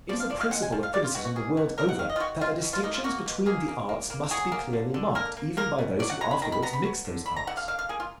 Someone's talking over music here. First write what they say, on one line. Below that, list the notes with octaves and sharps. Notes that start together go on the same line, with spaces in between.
It is a principle of criticism, the world over, that the distinctions between the arts must be clearly marked, even by those who afterwards mix those arts.
F3 D5
F5
F3 D5
F5
G#3 F#5
G#5
F3
F5
A#3 D5
F4
B2 F#4
F#4
A#3 G#4
B2
A#3 A#4
F#5
D#3 F5
D#5
F4
D#3 F#4
D#3 F4
B2
F4
A#3 D#4
F4
A#3 F#4
B2
A#3 G#4
A#3
A#3
A#3
F#3 G#4
A#3
D3
D3
A#3 A#4
A#3
A#3 A#4
B2
F#3 D5
F#5
F#3 A#5
B5
D#3 A#5
B5
B3 A#5
B5
F#3
D3
D3 B5
A#5
D3 F#5
F5
A#3 F5
F5
A#3 G#4
F4